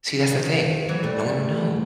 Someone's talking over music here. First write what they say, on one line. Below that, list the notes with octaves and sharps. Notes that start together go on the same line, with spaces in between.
See, that's the thing. No one would know.
D#3 F3
E3 F#3
G3 A3